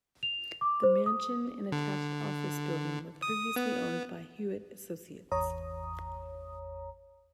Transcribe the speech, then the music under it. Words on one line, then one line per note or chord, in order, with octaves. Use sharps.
The mansion and attached office building were previously owned by Hewitt Associates.
F7
D6
C5
D#6
D3
D#6
B3
G#1 E2 C#5 A#5 D#6